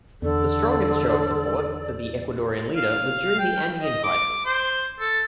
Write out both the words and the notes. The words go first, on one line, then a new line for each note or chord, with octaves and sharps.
The strongest show of support for the Ecuadorian leader was during the Andean crisis.
E2 D3 A4 D5
F5
G5
D#5
D6
C5
A4